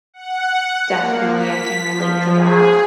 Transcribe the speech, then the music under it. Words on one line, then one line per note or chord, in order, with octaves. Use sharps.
Definitely I can relate to that.
F#5
A#3
B6
F3
G#4